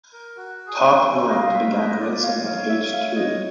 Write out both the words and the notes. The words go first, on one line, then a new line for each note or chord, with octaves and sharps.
Top Knight began racing at age two.
A#4
F#4
G#4
A4
D#5 F5
E5
D#5
D5
D5
C#5 F5
F5
E5
F5
D#5